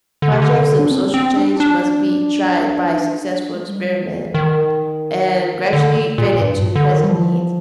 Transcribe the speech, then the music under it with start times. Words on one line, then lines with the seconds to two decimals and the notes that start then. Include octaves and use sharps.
Projects of social change must be tried by successful experiment, and gradually fitted to present needs.
0.22 D3
0.32 C3
0.42 D3
0.79 D4
0.91 C4
1.14 C4
1.37 D4
1.60 D4
2.93 D#4
2.97 D4
3.54 G#3
3.67 G3
4.02 A#3
4.10 G#3
4.18 G3
4.26 F3
4.34 D#3
5.73 D3
6.18 A#2
6.41 G2
6.76 D3
6.92 D#3
7.04 G3
7.09 F3